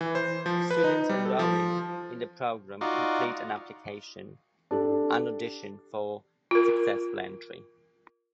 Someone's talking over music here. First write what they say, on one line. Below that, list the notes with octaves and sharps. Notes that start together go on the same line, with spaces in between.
Students enrolling in the program complete an application and audition for successful entry.
E3
C5
F3
B4
D#4
G3
A4
F3
D#4 F4 F#4 D5
D4 G4 A4
F4 A#4